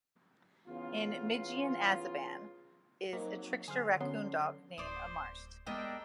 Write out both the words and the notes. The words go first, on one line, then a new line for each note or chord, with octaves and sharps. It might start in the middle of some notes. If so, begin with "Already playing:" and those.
In Migian, Azeban is a trickster racoon dog named Amarst.
E2 C#3 B3 F4
F#3 A#3 C4 D#4
D3 G#4 C5 F5 D#7
F#3 B3 C#4 C6
D1 C5 D5 C6 D#6
G3 G#3 B3 D4 A#4 D#5 E5 G5